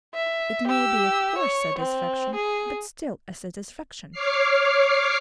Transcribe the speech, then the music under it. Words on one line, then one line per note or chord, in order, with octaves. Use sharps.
It may be a coarse satisfaction, but still a satisfaction.
E5
G4 E6
C#5
C4
G#4
C#5 D6 F6 C7